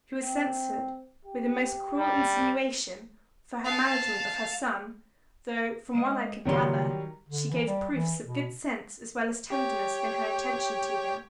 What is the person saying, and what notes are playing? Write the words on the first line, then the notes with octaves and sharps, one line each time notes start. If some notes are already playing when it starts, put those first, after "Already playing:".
She was censured, with the most cruel insinuation, for her management of her son, though, from what I could gather, she gave proofs of good sense as well as tenderness in her attention to him.
C4
G4
G3
F5 A5
G#3 D#5
C#2 A#2 D#3 F#3 G3 C6
D3
E3
G3
E3
B2
G4 C#5 G5